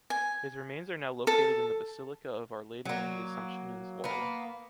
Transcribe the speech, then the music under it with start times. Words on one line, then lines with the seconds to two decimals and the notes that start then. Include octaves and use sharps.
His remains are now located in the Basilica of Our Lady of the Assumption in Zwolle.
0.10 G#5
1.27 A4
2.85 F#3 A#3
4.04 A#3 B3